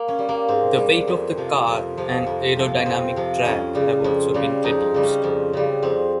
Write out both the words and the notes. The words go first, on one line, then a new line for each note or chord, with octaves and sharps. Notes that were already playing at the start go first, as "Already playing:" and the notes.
The weight of the car and aerodynamic drag have also been reduced.
Already playing: A#3
C#4
G3
A#3
G#2 C4
G3
F2
C3 F3
F2
C3 F3
F2
C3 F3
F2 C4
C3 F3
F2 C#4
C#3 G3
F2
C#3 G3
F2 D#4
C#3 G3
C#4
F2
C#3 G3
F2 C4